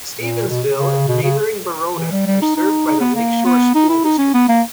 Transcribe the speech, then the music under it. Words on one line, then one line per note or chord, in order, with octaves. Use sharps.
Stevensville and neighboring Baroda are served by the Lakeshore School District.
A#2
B2
C#3
B2
C#3
E3
G3
G3
D#4
D#4
D#4
B3
A#3
B3
D#4
E4
D#4
C#4
B3
A#3